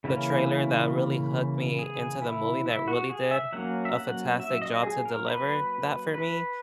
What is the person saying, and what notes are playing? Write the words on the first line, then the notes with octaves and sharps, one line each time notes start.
the trailer that really hooked me into the movie, that really did a fantastic job to deliver that for me,
C#3 E3 A#3 C#4 E4
G#4
E4
E4
F#4
G#4
E5
F#3 A#3 C#4 F#5
E5
F#5
E5
D#5
G#4
A#4
B4
B4